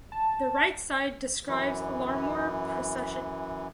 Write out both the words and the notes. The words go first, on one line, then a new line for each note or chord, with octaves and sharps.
The right side describes Larmor precession.
A5
F#2 E3